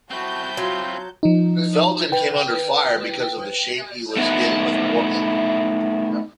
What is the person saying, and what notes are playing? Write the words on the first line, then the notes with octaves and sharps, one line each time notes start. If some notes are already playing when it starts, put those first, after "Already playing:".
Felton came under fire because of the shape he was in with Portland.
C4 E4 F#4 A5 G6
F#3 F4
F3 D#4
B4 G5
A3 B3 D#4 E4